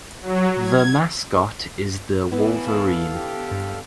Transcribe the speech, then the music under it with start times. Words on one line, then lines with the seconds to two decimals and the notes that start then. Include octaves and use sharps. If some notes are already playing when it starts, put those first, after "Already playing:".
The mascot is the Wolverine.
0.21 F#3
0.62 G#6
2.32 D#2 B2 E3 B3 E4
2.66 A4 F5
3.12 D3 G4
3.51 G2